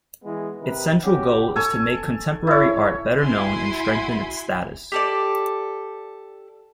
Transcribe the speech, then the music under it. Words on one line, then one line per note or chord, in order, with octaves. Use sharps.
Its central goal is to make contemporary art better known and strengthen its status.
E3 G#3 B3
C3 D#3 B4
C#4 F#4 G4
A4 G#5 C#6
E4 C#5
E4 F#4 G#5 C6
G4 A4 D5